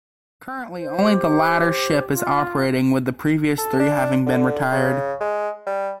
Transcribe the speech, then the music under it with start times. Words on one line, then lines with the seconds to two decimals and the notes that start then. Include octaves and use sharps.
Currently only the latter ship is operating, with the previous three having been retired.
0.73 C5
1.02 G4
2.11 F4
3.58 A4
3.80 D4
4.26 D3
4.72 C#3
5.21 G#3
5.67 G3